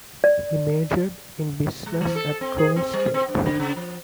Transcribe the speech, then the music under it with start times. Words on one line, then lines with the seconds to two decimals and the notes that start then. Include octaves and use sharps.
He majored in Business at Troy State.
0.24 D5
1.86 G#3
2.01 E3
2.16 A4
2.41 C4
2.58 G#4
2.76 C4
2.93 G3
3.14 C4
3.29 G2
3.46 D3
3.60 C#3
3.76 F3